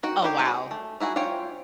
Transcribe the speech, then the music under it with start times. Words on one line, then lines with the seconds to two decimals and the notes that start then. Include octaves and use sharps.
Oh, wow!
0.03 D#4 F#4 G5
0.22 D#4 E4 F#4 G4 C5
0.39 F#4 G#4
0.71 A3
1.00 D#4 E4 F#4 G#4
1.16 F4 C5 C#5 G5 G#5